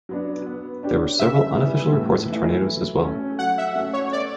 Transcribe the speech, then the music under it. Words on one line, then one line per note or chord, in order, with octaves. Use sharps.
There were several unofficial reports of tornadoes as well.
F#3 B3 D4
B3
D4 G4 C#5
C#3 E5
E3 G3 B3
A2
E3 A3 E4
F#3
A3 C#4
F#3 F#5
E5
A3 C#4 F#4
C#5
B3 D5